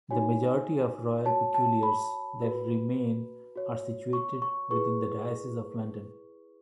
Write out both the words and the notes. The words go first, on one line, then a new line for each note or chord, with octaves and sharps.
The majority of Royal Peculiars that remain are situated within the Diocese of London.
D#4 F#4 C#5 G#5
F#4 C#5 A5
A5
B5
F#4 B4
F#4 C#5
C#6
C#6
E4 G#4 B4 C#6